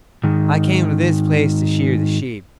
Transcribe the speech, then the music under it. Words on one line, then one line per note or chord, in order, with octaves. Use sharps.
I came to this place to shear the sheep.
G#2 D#3